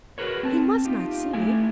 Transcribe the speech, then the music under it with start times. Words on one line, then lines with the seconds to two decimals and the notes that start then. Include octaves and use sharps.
He must not see me.
0.18 F#4 G#4 A#4 B4 C#5
0.43 C4 A5
0.85 D#4 F4 G4
1.33 A3 E4 G4 A4 G#5